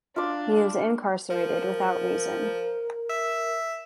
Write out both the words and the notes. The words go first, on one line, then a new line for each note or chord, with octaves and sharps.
He is incarcerated without reason.
D4 F4 D5
F3 A#4
E5